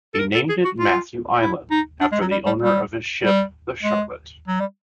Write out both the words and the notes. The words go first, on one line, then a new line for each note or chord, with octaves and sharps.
He named it Matthew Island, after the owner of his ship, the Charlotte.
A4
A#4
A4
G#4
F#4
F4
E4
D#4
D4
G#3
F#3
G3
G3
G3
G3
G#3
F#3
G3